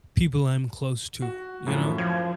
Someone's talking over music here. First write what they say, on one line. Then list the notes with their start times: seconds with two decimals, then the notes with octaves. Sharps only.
people I'm close to, you know?
1.22 F#4
1.66 F#2 A2 F3
1.98 F3 G#6